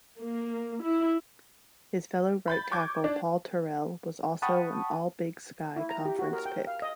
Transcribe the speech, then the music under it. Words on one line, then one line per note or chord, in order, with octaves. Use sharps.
His fellow right tackle Paul Terrell was also an All-Big Sky Conference pick.
A#3
E4
B5 G6 A6
C#6 D6 G6 G#6
D4
F#5 G5 A5 B5 C#6 D#6
E4
A#5
G4
F#4
A#4
G5
F5
D#5